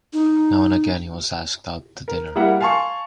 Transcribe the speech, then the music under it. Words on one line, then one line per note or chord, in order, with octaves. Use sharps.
Now and again he was asked out to dinner.
D#4
A#4
G3 A#3 E4 E5 F#5
F5 G#5 A5 C6 C#6